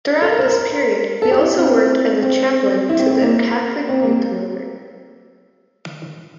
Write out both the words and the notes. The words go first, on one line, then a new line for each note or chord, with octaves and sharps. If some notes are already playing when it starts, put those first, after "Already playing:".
Throughout this period he also worked as a chaplain to the Catholic youth movement.
A4
A#4
C5
A#4
A4
G4
E4
C4
C4
E4
C4
C4
A#3
C4
A#3